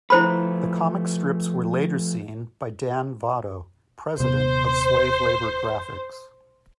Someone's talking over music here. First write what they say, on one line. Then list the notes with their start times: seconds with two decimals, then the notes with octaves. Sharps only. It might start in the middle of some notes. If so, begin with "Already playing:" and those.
The comic strips were later seen by Dan Vado, president of Slave Labor Graphics.
0.10 F3 A3 E4 B4 C5 B5
4.20 D#1 C3 B3 C5